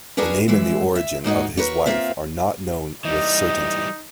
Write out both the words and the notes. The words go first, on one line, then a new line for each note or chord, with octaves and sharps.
The name and the origin of his wife are not known with certainty.
D4 F#4 G#4 A#4 B4
E3 G#3 E5
E5
G#2 A#3 D#4 F#4
F#4 A#4 B4 C#5
A#3 C4 F4 E5
E3 G3 D#4 D#5